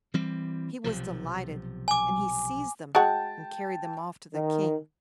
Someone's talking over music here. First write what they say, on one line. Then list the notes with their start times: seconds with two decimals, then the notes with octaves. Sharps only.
He was delighted, and he seized them and carried them off to the King.
0.14 E3 G3 C4
0.84 B1 C3 F3
1.88 G#5 D6
2.95 G#3 F#4 F#5 G5 A5
4.34 D#3